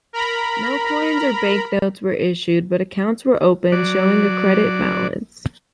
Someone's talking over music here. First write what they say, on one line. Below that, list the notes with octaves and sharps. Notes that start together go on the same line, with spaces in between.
No coins or banknotes were issued, but accounts were opened showing a credit balance.
A#4 A#5 B5
F#3 D5